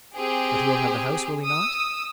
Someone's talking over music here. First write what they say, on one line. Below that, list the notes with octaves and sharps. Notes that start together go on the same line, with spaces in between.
"But he will have the house, will he not?"
C4 G4 G#4
D#6 E6